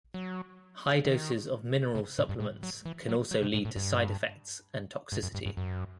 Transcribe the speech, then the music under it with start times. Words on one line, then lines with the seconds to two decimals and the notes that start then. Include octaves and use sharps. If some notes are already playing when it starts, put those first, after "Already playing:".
High doses of mineral supplements can also lead to side effects and toxicity.
0.14 F#3
1.05 D#3
1.95 C3
2.18 A2
2.29 G2
2.40 A2
2.63 F#3
2.85 E3
3.09 F#3
3.31 F#3
3.42 C3
3.54 A2
3.65 A2
3.76 G2
5.12 G2
5.23 F#2
5.34 G2
5.46 G2
5.57 F#2